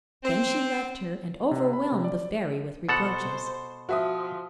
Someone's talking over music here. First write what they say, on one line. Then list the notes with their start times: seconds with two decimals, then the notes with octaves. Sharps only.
Then she left her, and overwhelmed the fairy with reproaches.
0.24 C4
1.51 C3
1.73 B5
1.92 C3
2.04 D5
2.89 B2 A4 C5 F#5
3.89 F3 F#4 E5 D#6